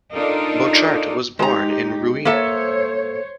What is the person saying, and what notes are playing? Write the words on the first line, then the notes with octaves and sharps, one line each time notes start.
Bochart was born in Rouen.
D4 D#4 F4 A4 A#4 D5
G#3 D#4 G4 A#5
A#3 A4 C5 C#5 E5